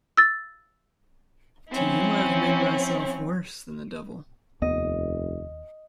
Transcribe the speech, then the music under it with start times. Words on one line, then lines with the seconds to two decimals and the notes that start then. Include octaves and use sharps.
To you I’ve made myself worse than the devil.
0.17 E6 A6
1.71 F3 C4 C#4 E4
4.62 F1 D#2 B3 D#5